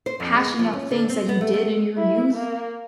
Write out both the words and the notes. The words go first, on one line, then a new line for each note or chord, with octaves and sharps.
hashing out things that you did in your youth,
C5
F2
G#3
F3
C#4
D3
C4
B3
A3
A3
E4
A#3